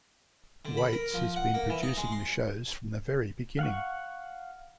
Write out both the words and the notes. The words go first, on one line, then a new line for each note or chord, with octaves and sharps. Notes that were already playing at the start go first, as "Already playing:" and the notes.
Waites has been producing the shows from the very beginning.
D3
B5
A#4
F3
F#5
A#3
E3
D#4
G#3
C6
F5 F#5 C#6